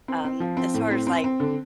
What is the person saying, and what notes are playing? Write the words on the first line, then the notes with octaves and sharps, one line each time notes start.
Um, as far as, like
C4
C4
F3
C4
A2
C4
C4
C4
D3